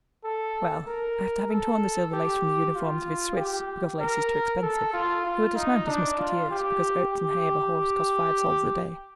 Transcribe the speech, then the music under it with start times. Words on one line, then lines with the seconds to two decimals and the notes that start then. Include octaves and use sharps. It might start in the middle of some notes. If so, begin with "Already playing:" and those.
"Well, after having torn the silver lace from the uniforms of his Swiss, because lace is too expensive, he will dismount his musketeers, because oats and hay of a horse cost five sols a day."
0.24 A4
0.87 A#4
1.50 A4
2.13 G4
2.75 F4
3.37 G4
4.00 A#4
4.62 A4
4.93 F4
5.25 F4
5.56 D#4
5.88 D4
6.19 F4
6.50 G4
7.13 G4